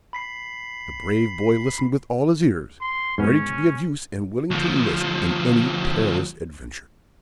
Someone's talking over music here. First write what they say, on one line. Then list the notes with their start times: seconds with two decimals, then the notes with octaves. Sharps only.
The brave boy listened with all his ears, ready to be of use, and willing to enlist in any perilous adventure.
0.13 B5 B6 C7
2.81 C6
3.18 G#2 B3 C#4
4.51 D2 F3